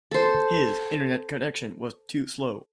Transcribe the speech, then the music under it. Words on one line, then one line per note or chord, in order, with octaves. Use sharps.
His internet connection was too slow.
A4 C5